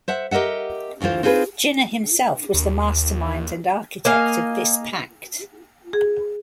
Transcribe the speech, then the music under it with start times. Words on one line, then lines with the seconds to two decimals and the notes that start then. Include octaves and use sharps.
Jinnah himself was the mastermind and architect of this pact.
0.08 C5 E5 F#5
0.31 G4 A#4 D#5 E5 F#5
1.00 D2 E3 E4 F4 C5
1.23 C4 D#4 F4 G#4 B4
2.54 D#2
4.05 A#3 D#5 F5 G#5
5.93 G#4